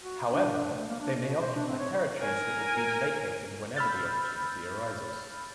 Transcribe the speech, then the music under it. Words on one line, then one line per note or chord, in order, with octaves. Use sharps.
However, they may occupy territories that have been vacated whenever the opportunity arises.
F#4
D4
D4
A3
A#3
D4
B2
C5
D4
C4
C#5
A#4 G#5
B5 E6 F6 G6 A6